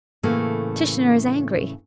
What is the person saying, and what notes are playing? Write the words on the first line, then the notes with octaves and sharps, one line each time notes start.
Tishnar is angry.
A2 C#3 E3 A3 A#3